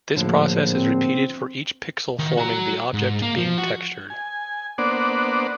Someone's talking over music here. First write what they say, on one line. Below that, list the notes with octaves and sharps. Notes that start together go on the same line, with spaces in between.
This process is repeated for each pixel forming the object being textured.
A#1 A2 D3 F3
C4
D#3
F#4 A#5
G#2
A#3
F3
F#4
G#5
A#3 B3 D4 C5 D5 F#5